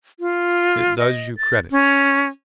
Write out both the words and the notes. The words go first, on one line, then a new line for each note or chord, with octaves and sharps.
It does you credit.
F4
D#5
A6
C#4